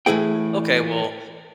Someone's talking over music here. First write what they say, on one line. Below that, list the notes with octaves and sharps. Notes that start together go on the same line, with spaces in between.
Okay, well,
A2 E3 E4 G#4 G5